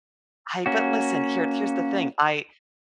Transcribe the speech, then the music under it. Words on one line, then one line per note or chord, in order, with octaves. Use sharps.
I but listen, here here's the thing. I
A#3 C#4 F#4